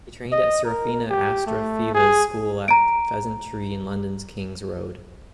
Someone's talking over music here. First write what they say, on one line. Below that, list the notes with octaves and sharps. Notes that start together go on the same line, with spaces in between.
He trained at Serafina Astafieva's school at The Pheasantry in London's King's Road.
D#5
A#4
G4
A3
G#4
A#5 D7